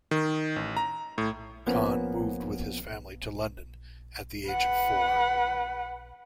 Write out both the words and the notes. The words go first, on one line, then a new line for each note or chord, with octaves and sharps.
Khan moved with his family to London, at the age of four.
D#3
A1
A#5
A2
F3 A#3 B3 C#4
B4 F#5